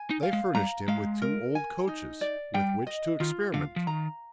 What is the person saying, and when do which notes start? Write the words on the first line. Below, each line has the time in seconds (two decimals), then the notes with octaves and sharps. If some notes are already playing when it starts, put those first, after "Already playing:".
They furnished him with two old coaches, with which to experiment.
Already playing: G#5
0.10 D#4
0.23 F5
0.33 G#3
0.55 G3 A#5
0.88 G#3 F5
1.22 A#4
1.55 G#5
1.88 D#4
2.21 D5
2.54 G3 G5
2.87 D#5
3.20 D#3 F4
3.54 D3 F5
3.76 F3
3.87 D#3 A#5